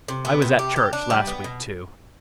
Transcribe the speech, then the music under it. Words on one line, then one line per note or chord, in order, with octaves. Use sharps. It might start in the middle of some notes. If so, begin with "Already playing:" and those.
I was at church last week, too...
C3
B3
C3
G4
G4
D4
G3
B3
B2